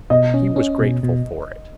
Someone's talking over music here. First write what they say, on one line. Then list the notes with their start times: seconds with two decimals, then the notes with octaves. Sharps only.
He was grateful for it.
0.10 B2 D#5
0.34 C#4
0.56 C#4
0.79 B2
1.03 B2